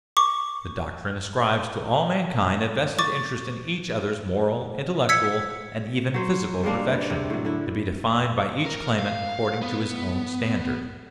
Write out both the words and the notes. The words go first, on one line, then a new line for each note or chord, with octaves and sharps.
The doctrine ascribes to all mankind a vested interest in each other's moral, intellectual, and even physical perfection, to be defined by each claimant according to his own standard.
C#6 D6
C#6 D6 A6
E6 G#6 B6 C#7
F#3 C5
G3 G#3 A#3 D4
B4
C3
A2 F#3
D3 E4
A#4
F5
B3